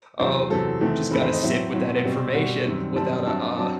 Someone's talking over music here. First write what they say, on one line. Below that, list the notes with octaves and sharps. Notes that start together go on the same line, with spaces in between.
Um, you just gotta sit with that information without a, uh
E2 C3 F#3 C5
E2 C3 F#3 A4
E2 D#3 A3 C4
E2 D#3 A3 C4 B4
C5
D#5
A2 F#3 C4 E5
A2 F#3 C4
B2 G3 C4
B2 G3 C4 F#5
F#2 D#3 G3 C4
F#2 D#3 G3 C4 A5
G2 F#3 C4 A5
F#3 C4 A5